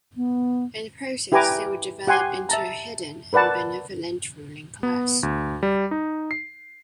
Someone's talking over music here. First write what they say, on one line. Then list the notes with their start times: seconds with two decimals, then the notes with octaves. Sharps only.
In the process they would develop into a hidden and benevolent "ruling" class.
0.16 B3
1.32 E4 G4 B4 G#5 A#5 D6
2.07 G4 F#5 G#5 C6
2.49 E5 A5 A#5
3.33 A#4 B4 D5 F#5 A5
4.83 B3
5.23 D2
5.63 G3
5.91 D#4
6.31 C7